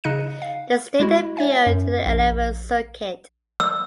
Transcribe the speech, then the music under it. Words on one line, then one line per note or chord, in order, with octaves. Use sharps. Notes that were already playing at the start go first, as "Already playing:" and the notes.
The state appealed to the Eleventh Circuit.
C#3 D#4 D#5 F#6 C#7 D#7
F5
G#3 E4 F#4
C#5 E5 G#5
F#2
A#1
E6